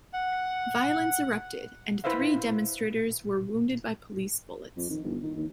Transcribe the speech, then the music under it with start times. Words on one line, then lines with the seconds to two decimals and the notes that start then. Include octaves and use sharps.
Violence erupted, and three demonstrators were wounded by police bullets.
0.14 F#5
2.04 E4 B4 C5 E5 F5
4.77 F2
4.90 D#3
5.04 G1
5.23 D#3
5.37 D#2